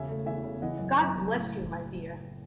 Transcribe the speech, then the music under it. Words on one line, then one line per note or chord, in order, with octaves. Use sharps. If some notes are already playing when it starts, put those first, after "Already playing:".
God bless you, my dear!
Already playing: E1 C#3 E5 G#5
A3
E2 E5 G#5
C#3
E3 D#5 F#5
F#2
F#2
F#1
A2